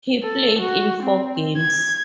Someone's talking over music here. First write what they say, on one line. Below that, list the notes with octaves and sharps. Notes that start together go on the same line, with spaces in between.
He played in four games.
A4
F#4
C4
G#6